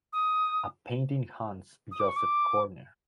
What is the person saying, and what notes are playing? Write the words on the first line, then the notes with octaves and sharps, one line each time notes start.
A painting haunts Joseph Koerner.
D#6
D#6
D6
C#6
D6